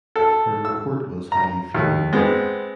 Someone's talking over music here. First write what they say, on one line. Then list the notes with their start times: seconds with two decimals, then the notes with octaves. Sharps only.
Her report was highly favourable.
0.16 A4
0.65 E6
1.32 A#5
1.75 D#2
2.13 G#3 B3 C4